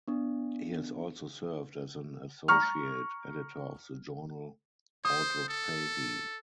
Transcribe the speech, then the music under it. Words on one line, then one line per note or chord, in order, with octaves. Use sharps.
He has also served as an associate editor of the journal "Autophagy".
B3 D4
A#5 C#6 F6
C5 D#6
A4